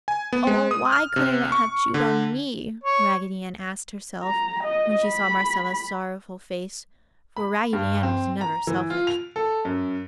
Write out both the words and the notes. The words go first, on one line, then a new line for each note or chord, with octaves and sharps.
"Oh, why couldn't it have chewed on me?" Raggedy Ann asked herself when she saw Marcella's sorrowful face, for Raggedy Ann was never selfish.
G#5
B3
G#3
D#6
F6
C3
C#6
D3
C#5
A#5
D#5
B5
B5
G2
C4
A#5
E3
F4
F7
A4
F#2